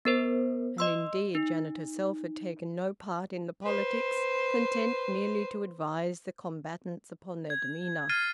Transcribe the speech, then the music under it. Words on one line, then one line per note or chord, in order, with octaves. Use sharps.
And indeed Janet herself had taken no part in the politics, content merely to advise the combatants upon their demeanour.
B3 A#4 C5
D#5 C6 E6
D#4
B4 C5
G#6
F6 A6 C7 D#7